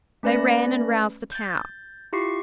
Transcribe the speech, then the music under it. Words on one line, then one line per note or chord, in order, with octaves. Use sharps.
They ran and roused the town.
A3 C#4 B4 D5 B5 A#6
G6 A6
E4 F4 G4 C#6 C7